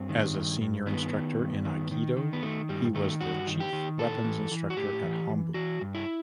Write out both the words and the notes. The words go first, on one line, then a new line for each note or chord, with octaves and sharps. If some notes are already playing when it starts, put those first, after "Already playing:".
As a senior instructor in Aikido he was the Chief Weapons Instructor at Hombu.
Already playing: G2 C4
D#3
G2
G2
D#3 B3
D#3
G2
D#3
D#3
D#3
B3
D#3 A3
G2 G3
D#3 A3
G2 F#4
D#3
G4
D#3
A2 A4
E3
E3
F#4
A2 G4
E3
E3
E3 F#4
G2
E4